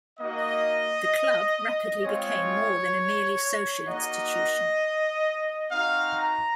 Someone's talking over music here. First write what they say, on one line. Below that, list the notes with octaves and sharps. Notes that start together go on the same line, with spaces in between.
The Club rapidly became more than a merely social institution.
A#3 D#4 F#4 D#5
G#3 C4 F4 C#5
A#3 D#4 F#4 D#5
C4 D#4 F#4 F5
A#5